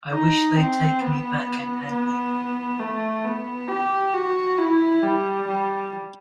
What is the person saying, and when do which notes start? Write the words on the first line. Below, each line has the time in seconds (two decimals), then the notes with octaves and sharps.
I wish they'd take me back and hang me.
0.12 D#4
0.56 C4
1.01 B3
1.90 B3
2.79 A3
3.24 B3
3.68 G4
4.13 F#4
4.58 E4
5.03 G3
5.47 G3